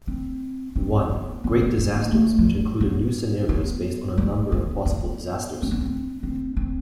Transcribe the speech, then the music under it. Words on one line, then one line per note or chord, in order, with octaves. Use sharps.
I: Great Disasters, which included new scenarios based on a number of possible disasters.
C4
C4
B3
B3
B3
C4
B3
A3
F#3
G3
B3
B3
G3
B3
B3
C4
B3
C4
C4
C4